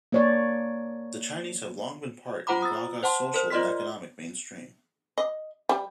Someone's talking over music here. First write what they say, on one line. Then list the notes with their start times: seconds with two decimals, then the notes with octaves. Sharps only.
The Chinese have long been part in Guagua's social and economic mainstream.
0.12 A#3 C#5 D5
2.47 F4 C5 F#5 A#5 B5 D6
2.61 A#5 D#6 E6 A6
3.03 C5 F#5 A5 C6
3.34 A#4 C5
3.50 F4 D5 D#5 C6 F6 B6
5.18 D#5
5.69 G3